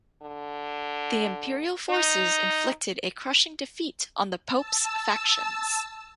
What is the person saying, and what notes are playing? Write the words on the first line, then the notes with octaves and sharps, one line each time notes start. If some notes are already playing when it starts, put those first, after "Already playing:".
The Imperial forces inflicted a crushing defeat on the Pope's factions.
D3
D#4
A5 E6